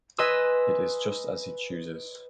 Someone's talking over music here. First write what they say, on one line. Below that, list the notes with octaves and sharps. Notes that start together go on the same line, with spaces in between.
It is just as he chooses.
B4 D#5 G#5 C6 E6